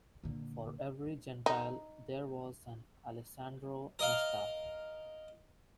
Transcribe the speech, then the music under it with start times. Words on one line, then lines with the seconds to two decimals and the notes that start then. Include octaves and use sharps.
For every Gentile there was an Alessandro Nesta.
0.24 A#2 D3
1.46 D#4
3.99 A#4 D#5 F5